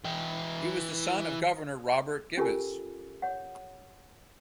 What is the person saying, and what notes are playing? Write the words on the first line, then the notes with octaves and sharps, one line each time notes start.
He was the son of governor Robert Gibbes.
E3 G5
C#4 F4 G4 A4 A#4 G#5
C#5 F#5